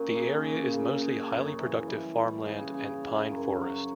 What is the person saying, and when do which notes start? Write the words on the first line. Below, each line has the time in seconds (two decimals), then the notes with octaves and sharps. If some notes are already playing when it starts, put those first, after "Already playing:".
The area is mostly highly productive farmland and pine forest.
Already playing: A#2 A#3 C#4
0.15 C#3
0.44 C#3
0.73 C#3
1.02 C#3
1.30 F#2
1.59 E3
1.88 G3
2.17 G3
2.45 C#3
2.74 C#3
3.03 C#3
3.31 F#2
3.61 F#3